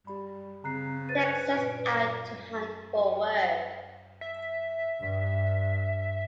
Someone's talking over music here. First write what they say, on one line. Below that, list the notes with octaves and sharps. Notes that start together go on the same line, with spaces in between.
Tex sets out to hunt for work.
G3 G4 B5
C#3 C4 A#5 F#6 C7
B4 C5 A6 D#7
C5 F#6 G#6
A#2 D7
E5
G2